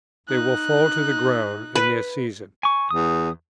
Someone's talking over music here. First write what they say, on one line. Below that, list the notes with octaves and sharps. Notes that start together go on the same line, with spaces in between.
They will fall to the ground in their season.
D#4 F#6
B4
G#5 C#6
E2 D#6